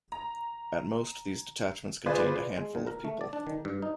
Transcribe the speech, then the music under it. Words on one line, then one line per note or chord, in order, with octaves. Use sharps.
At most these detachments contained a handful of people.
A#5
F4 G#4 B4 C5 D5
G#3
A#2
A#4
A3
D5
D4
D#3
G2
D#4